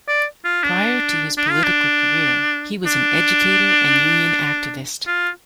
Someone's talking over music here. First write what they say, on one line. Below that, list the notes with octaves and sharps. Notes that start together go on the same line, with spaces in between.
Prior to his political career, he was an educator and union activist.
D5
F4
D4
D4
F4
D4
D4
F4